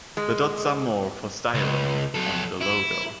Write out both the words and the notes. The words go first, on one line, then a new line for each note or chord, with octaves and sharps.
The dots are more for styling and the logo.
G#3
C#2
F#3 A4
E4